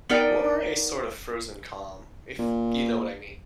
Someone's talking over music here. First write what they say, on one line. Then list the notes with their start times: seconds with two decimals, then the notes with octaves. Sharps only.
More a sort of frozen calm, if you know what I mean.
0.09 B3 D#4 A#4 D5 G5
2.39 A#2